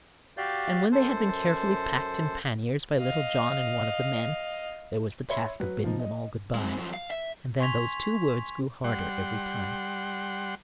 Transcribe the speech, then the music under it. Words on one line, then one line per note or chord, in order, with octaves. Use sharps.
And when they had been carefully packed in panniers by Little John and one of the men, there was the task of bidding them all good-bye, and then those two words grew harder every time.
F#4 G4 D5 F5 G6
F#2 A4 C5
D#5 F5
C#5 E5 B5 C6
F#3 B4
F3 D#4
D#5
G#3 C4
F#2 F3
F5
E5
G#5 C6 C#6 G#6 B6 F7
G3 F#5 C6